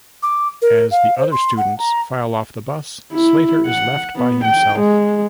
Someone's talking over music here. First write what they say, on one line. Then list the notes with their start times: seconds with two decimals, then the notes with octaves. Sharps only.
As the other students file off the bus, Slater is left by himself.
0.23 D6
0.62 A#4
0.91 F5
1.18 C5
1.32 C6
1.57 F#5
1.79 A#5
3.13 E4
3.66 F#5
4.16 B3
4.45 G5
4.80 G#3